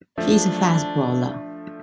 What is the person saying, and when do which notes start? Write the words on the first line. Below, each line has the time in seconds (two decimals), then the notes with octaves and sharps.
He is a fast bowler.
0.18 F3 A3 D4